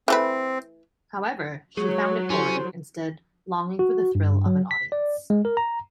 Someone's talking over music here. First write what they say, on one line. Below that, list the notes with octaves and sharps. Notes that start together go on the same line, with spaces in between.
However, she found it boring, instead longing for the thrill of an audience.
E3 A3 C4 B4
F#3 G#3 G#4 C#5
C#4 E4 G4 A4 C5
F#4
G2
F#3
B6
D5
G#3
A#4
A#5